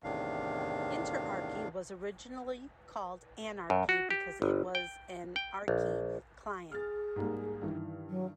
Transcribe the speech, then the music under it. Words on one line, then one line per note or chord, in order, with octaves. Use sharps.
Interarchy was originally called "Anarchie" because it was an Archie client.
E2 A2 C3 D#3 D4 F5
F#2
F#4
G4
G1
G5
G5
A#1
G#4 F6 A6
G#2 G3 A#3
G2 D#3 E3
F#3